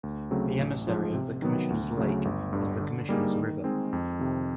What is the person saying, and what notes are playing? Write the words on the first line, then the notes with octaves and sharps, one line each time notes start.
The emissary of the Commissioners lake is the "Commissioners river".
D2
C#3 F#3 A3 C4
A1
G#2 F3
C3
D#3 F#3 B3
D2
C#3 F#3 A3
G1
G2 D3
D3
G3 A#3 D#4 G#4
D#3
G#3 C4 D#4 G#4
F2
C3 D#3